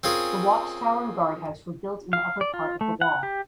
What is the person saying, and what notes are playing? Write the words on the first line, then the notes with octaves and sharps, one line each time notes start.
The watchtower and guard house were built in the upper part of the wall.
C4 C#4 F4 G#4 A#4
F5
D5
F4
A3
F#5
G4